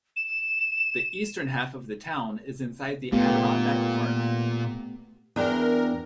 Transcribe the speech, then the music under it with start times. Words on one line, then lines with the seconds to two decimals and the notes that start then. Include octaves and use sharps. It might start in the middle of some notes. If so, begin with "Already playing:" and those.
The eastern half of the town is inside the Adirondack Park.
0.16 E7
3.12 A#2 A3 B3 F4 G4
5.36 E2 D4 A#4 G5